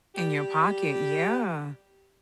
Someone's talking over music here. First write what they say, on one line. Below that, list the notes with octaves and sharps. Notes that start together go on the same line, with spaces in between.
In your pocket yeah,
G3 G4